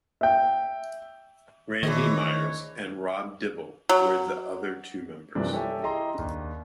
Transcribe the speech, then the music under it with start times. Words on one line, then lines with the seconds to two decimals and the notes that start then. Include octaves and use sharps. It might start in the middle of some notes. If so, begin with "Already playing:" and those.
Randy Myers and Rob Dibble were the other two members.
0.21 E5 G5
1.83 D2 D#3 E3 G#4 C5 C#5 D#5
3.89 F#3
5.35 G2 C3 E3 F3 A#3 D4
5.53 G4 A4 C#5 E5 G#5
5.82 E4 G4 G#4 D#5 A#5 C6
6.15 D#2 D4